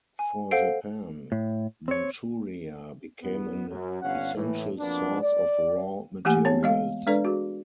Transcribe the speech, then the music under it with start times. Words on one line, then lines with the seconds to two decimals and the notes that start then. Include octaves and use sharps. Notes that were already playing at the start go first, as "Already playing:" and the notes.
For Japan, Manchuria became an essential source of raw materials.
0.19 G#5
0.51 A4 C5 F5 F#5 C7 D7
1.32 A2
1.88 C4 C#5
3.22 E2 B3
3.69 F#2
4.02 G1 G2 C#4 F5 F#5
4.35 A2 E3
4.79 F2 B2 A#3 B3 D4
5.22 D5
6.25 E3 A3 A#3 G4 F#5 G#5
6.45 B3 C#5 A5
6.63 G#3 D#5 F5
7.07 G#3 D4 A4 B4 D5
7.25 F#4 G#4